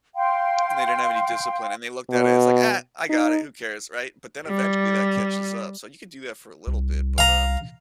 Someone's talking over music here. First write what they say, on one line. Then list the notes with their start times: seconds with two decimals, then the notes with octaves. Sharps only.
And they didn't have any discipline and they looked at it it's like, "Ah, I got it, who cares," right? But then eventually that catches up so you could do that for a little bit, but um
0.15 F5 G5 C6
2.10 B2
3.10 D#4
4.46 G3
6.67 C2
7.18 F5 A#5